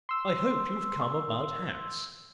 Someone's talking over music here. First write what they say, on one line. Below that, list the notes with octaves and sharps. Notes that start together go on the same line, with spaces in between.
I hope you've come about hats.
C6 E6